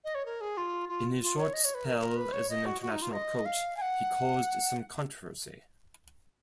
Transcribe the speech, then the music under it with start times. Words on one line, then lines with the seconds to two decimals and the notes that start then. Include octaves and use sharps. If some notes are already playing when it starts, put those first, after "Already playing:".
In his short spell as an international coach, he caused some controversy.
0.05 D#5
0.15 C#5
0.26 A#4
0.41 G#4
0.57 F4
0.89 F4
1.22 F4
1.37 C#5
1.53 D#5
1.64 C#5
1.74 B4
1.85 A#4
2.01 A#4
2.17 B4
2.33 C#5
2.50 D#5
2.66 F#4
2.81 F#4
2.91 D#4
3.02 F4
3.13 D#5
3.45 F5
3.77 G#5
3.82 F#5